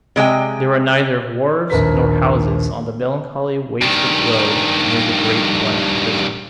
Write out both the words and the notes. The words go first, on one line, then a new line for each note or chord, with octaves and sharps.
There were neither wharves nor houses on the melancholy waste of road near the great blank Prison.
C3 G#3 D#5 G5
A#1 D#2 A#4 B4 B6
G2 D#3